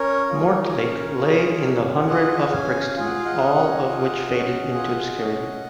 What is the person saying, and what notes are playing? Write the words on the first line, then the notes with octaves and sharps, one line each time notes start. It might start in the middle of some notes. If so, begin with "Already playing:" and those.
Mortlake lay in the hundred of Brixton, all of which faded into obscurity.
Already playing: C#4 A#4 C#5
F4 G#4
C#4
F4 G#4
C#4
F4 G#4 D#5 F#5
C#4 F5 G#5
F4 G#4 G#5
F#5
F5
D#5 F#5
F5
C#4 D#5 F#5
F4 G#4
C#4
F4 G#4
C#4